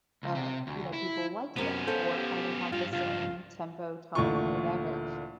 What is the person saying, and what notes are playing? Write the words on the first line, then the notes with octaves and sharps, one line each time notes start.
uh, you know, people like them or kind of have the same tempo, tone, or whatever,
C#2
C3
D2
E4
F#2 C3 B3 C#4
A4 C5 C#5 F5
G4
G2 G3 F4 F5
C#2 G2 F4
D2 A#2 E3 A3 F4 C#6